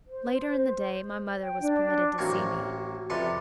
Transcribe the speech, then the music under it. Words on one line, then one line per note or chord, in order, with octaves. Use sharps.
Later in the day, my mother was permitted to see me.
C5
G5
D4
A1 F#3 A#3 C4 C#6
F2 C3 G3 B4 C6